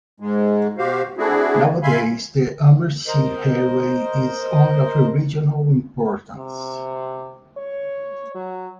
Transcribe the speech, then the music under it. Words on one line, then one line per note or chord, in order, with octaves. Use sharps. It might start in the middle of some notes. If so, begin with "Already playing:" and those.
Nowadays the Ammersee Railway in only of regional importance.
G#2 G#3
B2 F#4 G4 C5 F5
A3 C4 D4 E4 F#4 G#4
E5 F5 G#5 B5 C6
A#4 C5 D#5
C3
C#5
F#3